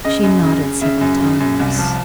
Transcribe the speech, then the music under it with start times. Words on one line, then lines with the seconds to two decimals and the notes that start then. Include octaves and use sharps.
She nodded several times.
0.05 C#3 D#5
0.24 F#2
0.44 C#3
0.63 C#3
0.81 C#3 E5
1.01 F#2
1.21 C#3
1.40 F#2
1.60 C2
1.79 F3